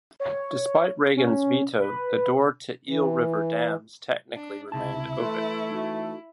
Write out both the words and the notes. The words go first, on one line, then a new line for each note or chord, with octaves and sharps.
Despite Reagan's veto, the door to Eel River dams technically remained open.
C#5
C#4
B4
E3
D4
C#2 C3 E4 A5
E3 A3 B4 C6
D#4 F#4